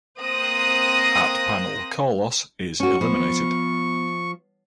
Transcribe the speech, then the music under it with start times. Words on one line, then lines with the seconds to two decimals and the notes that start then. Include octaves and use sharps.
At panel Carlos is eliminated.
0.19 A#3 C4 C5 D#6 F#6 A#6
2.80 C#4 F#4 C#6
3.01 F3 B3